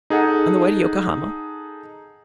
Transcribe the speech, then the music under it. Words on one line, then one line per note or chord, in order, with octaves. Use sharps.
"On the way to Yokohama?"
D#4 G#4 A4 F#5